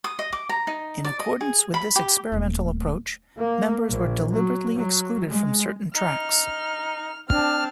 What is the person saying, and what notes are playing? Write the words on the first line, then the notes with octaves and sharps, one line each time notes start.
In accordance with this experimental approach, members were deliberately excluded from certain tracks.
D#6
D#5
D6
A#5
D#4
D5
D#5
G#4
B5
G4
D#1 A3
A#3
A#1
F#3
F#3
G#3
D#4 F6
C4 D4 A5 F6